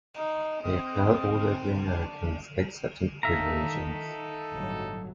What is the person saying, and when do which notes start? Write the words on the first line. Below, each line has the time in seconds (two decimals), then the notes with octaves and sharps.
They occur all over the Americas except in polar regions.
0.17 D#4
0.64 C4 D#5
1.87 D4
3.23 D#3 D#4 A4 E5 F5 A#5
4.52 G1 A2 F#3